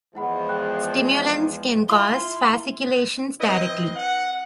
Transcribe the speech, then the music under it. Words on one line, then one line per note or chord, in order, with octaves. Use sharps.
Stimulants can cause fasciculations directly.
E2 F3 G#3 E4 F#5 B5
G#4 G5 F#6
E4 F4 C6
C4 E4 B4 D#5
F#5